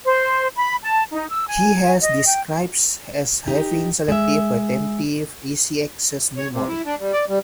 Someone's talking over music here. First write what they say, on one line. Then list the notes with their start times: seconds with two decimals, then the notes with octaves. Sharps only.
He has been described as having Selective Retentive Easy-Access Memory.
0.04 C5
0.56 B5
0.82 A5
1.11 D#4
1.29 E6
1.47 G#5
2.01 D#5
2.25 G5
3.47 D#4 G4
4.08 G#3 E5
6.37 C#5
6.53 C3
6.68 E4
6.86 D4
7.00 G3
7.13 D5
7.29 G3